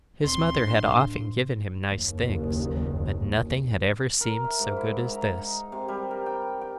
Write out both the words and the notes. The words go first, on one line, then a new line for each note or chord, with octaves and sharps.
His mother had often given him nice things, but nothing had ever seemed so good as this.
D1 C4 C6
A2 D4
F#1 D#2
A#4
E5
G#2
E4
E5
A#5
D#4
C3
G3
A#4
G5
G5